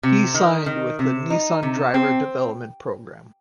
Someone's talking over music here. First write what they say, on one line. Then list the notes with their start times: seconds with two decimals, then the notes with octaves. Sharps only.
He signed with the Nissan Driver Development Program.
0.03 C3
0.34 D#3
0.66 D#3
0.99 C3
1.30 D#4
1.63 C3
1.94 C4